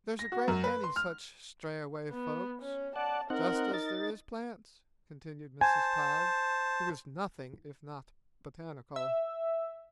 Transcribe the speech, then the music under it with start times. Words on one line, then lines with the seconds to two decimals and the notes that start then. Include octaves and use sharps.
"There's a great many such strayaway folks, just as there is plants," continued Mrs. Todd, who was nothing if not botanical.
0.19 A#6
0.32 F#4
0.48 F#2
0.64 B4
0.84 C6
0.96 F6
2.11 B3
2.62 C#4
2.96 D5 F#5 A5
3.30 C4 D#4 A#4 F#5
3.74 D#4 A6
5.61 C5 G#5 A5
8.96 E5